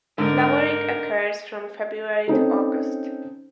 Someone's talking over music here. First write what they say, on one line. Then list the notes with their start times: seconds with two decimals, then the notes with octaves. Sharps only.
Flowering occurs from February to August.
0.18 G#2 D3 D#4 A#4 D5
2.28 C4 C#4 D#4 A4